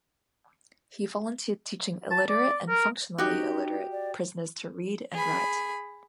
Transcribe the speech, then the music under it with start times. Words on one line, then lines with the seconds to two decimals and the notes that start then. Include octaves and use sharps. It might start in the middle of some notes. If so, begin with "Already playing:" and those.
He volunteered teaching illiterate and functionally illiterate prisoners to read and write.
2.11 A5
2.29 D5
2.69 A#4
3.18 D#4 F#4 G4 D#5
3.92 D5
5.13 G#4 B5